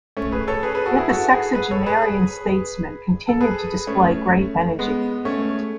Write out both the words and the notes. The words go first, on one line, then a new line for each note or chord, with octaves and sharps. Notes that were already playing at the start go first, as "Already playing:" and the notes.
Yet the sexagenarian statesman continued to display great energy.
A3 C#4
G#4 B4
A4 C#5
G#4 B4
G#4 B4
F#4 A4
E4 G#4
F#4 A4
G#4 B4
G#4 B4
A4 C#5
G#4 B4
G#4 B4
A4
G#4 B4
A3 C#4
G#3 B3
A3 C#4